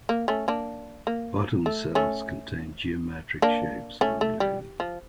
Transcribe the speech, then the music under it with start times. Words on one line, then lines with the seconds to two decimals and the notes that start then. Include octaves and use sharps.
Bottom cells contain geometric shapes only.
0.09 A#3
0.28 A3 C#4
0.48 A#3 D4
1.07 A#3
1.66 A3
1.95 A3 C#4
3.42 A#3 D4
4.01 A3 C#4
4.21 A3
4.40 G3
4.80 F3